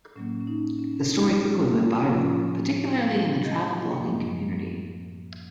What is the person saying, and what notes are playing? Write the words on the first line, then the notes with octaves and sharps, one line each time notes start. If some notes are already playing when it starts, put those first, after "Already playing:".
The story quickly went viral, particularly in the travel blogging community.
A2 F#3 A#3 C#4
C#4
D#4
C#4
D#4
F4
A2 F3 A#3 C#4 F4
F5
D#5
F#2 F3 A#3